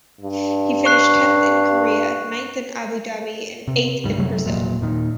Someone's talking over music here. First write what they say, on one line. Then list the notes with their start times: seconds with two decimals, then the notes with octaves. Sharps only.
He finished tenth in Korea, ninth in Abu Dhabi and eighth in Brazil.
0.21 G2
0.85 C#6 F#6 C7
3.68 C3
4.04 D2 G#2 G3
4.17 F#2 C3 F#3 A3
4.45 E1 F2 A#2 F#3
4.81 D#1 A#2 D#3